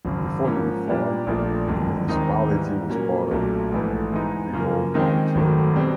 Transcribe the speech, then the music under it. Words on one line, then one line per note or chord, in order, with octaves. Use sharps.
Before the reform, the municipality was part of Viborg County.
G#1 F#2 C#3
G#2 F3 A#3 C#4
A#2 G3 B3 D4 G4
A#1 A#2 F3 A3 D4
G1 F#2 D#3 G#3
D#2 D#3 G#3 C4 D#4
G#2 E3 G3
A#2 F#3 A#3 C#4
B1 A#2 F#3 A3
A#1 G#2 E3 A3
G#2 E3 G#3 B3 D#4
F#2 C#3 F3 A#3
D#3 G#3 C4 D#4 G4
G#1 F#2 D#3 F#3 A3
B2 G3 C4